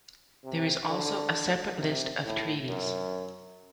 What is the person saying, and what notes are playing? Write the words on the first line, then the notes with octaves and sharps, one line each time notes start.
There is also a separate List of treaties.
C3
D3
C3
A2
F#2